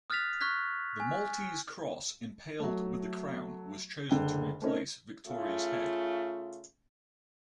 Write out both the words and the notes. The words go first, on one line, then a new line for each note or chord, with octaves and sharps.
The Maltese Cross impaled with the Crown was chosen to replace Victoria's head.
D#6 F6 F#6 A6 B6 F7
C#6 F6 F#6 G#6 B6
G#5
F#3 A3
F#1 D3 G5 G7
A3 C4 C#4 D#4 A#4
C#3 A3 F4